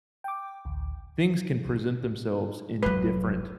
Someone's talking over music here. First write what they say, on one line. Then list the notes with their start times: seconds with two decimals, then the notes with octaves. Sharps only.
things can present themselves in different
0.24 G5 D6
0.65 A1 D2
2.83 F1 F#3 B4